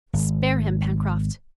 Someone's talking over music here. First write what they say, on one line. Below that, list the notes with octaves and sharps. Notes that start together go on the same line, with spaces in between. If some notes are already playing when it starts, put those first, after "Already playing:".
"Spare him, Pencroft."
G#1